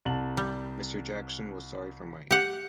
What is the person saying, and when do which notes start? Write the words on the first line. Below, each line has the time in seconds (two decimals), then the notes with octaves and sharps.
Mr. Jackson was sorry for Mike.
0.05 C2 A5 F#7
0.37 G3
2.31 G4 F#5